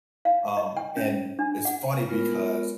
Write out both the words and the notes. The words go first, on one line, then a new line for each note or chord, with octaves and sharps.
Um, and it's funny because
F5
D#5
G5
C#4
D4
F#5
G#3 B3 F4 A#4